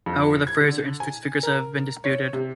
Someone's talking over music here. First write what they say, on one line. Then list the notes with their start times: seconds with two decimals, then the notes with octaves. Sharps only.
However, the Fraser Institute's figures have been disputed.
0.06 F2
0.47 G#6
0.61 D3
1.00 G#5
1.43 A#4
2.04 C#5
2.33 C3